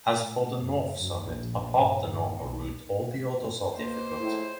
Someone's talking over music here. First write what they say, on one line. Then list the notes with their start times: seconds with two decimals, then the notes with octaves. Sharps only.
As for the North summit, apart the normal route all the others are difficult.
0.15 A2
0.59 F#2
0.95 F#2
1.27 A#1
1.73 G2
2.07 G1
2.39 B1
3.76 B2 A#3 C5
4.20 A2 F3 G#3 E4